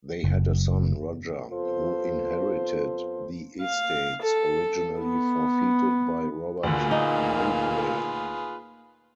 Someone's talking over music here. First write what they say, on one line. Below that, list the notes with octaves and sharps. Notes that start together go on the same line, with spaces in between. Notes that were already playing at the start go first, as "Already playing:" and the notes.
They had a son, Roger, who inherited the estates originally forfeited by Robert Mowbray.
F#1
F2 B3 F4 A4 C5
F5
A4
B3
D2 A#2 D3 F4 G#4 B4
A#3 D#4